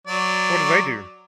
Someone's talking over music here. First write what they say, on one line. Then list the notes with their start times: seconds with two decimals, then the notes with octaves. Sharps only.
What do they do?
0.07 F#3 D5